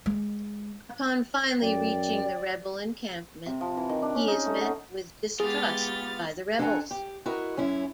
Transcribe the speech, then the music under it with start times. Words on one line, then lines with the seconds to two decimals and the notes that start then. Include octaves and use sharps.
Upon finally reaching the rebel encampment he is met with distrust by the rebels.
0.06 G#3
1.62 F#2 D5 G5
3.46 C3
3.61 F3
3.77 E3
3.89 D#3
4.02 D4
4.15 C#4
4.28 D#4
4.46 A3
4.61 F#5
5.40 G#3 B3 F4 G4 G#4 A6
6.58 F2 D4 A4 F#5 G#5 A#5
6.91 G4
7.26 E4 F#4 A#4 D#5
7.57 F#2 C#4 E4